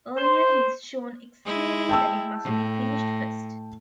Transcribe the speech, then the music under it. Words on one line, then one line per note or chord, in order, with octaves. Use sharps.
Earlier he is shown exclaiming that it must be finished first!
C5
G#3 E4
G5 A5 E6
A2